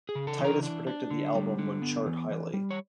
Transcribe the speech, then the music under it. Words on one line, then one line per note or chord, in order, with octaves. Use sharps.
Titus predicted the album would chart highly.
G#4
C#3
A4
E3
A#4
D4
D4
D3
G3
D3
B3
E3
E3
G3
C#5